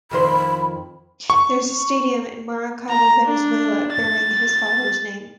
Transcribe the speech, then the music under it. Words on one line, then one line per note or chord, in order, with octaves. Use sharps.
There is a stadium in Maracaibo, Venezuela, bearing his father's name.
F2 D#3 C5 B5
C#6
A#5
D4
A6